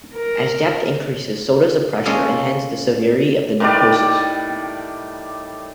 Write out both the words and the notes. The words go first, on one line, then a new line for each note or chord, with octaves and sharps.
As depth increases, so does the pressure and hence the severity of the narcosis.
A#4
G#3 A#3 C#4 F4 A4 D#5
A2 D#3 G3 D5